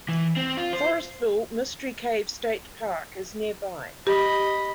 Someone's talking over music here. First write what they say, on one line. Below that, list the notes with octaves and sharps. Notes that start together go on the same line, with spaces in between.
Forestville Mystery Cave State Park is nearby.
E3
C4
F4
C5
G4 D#5 B5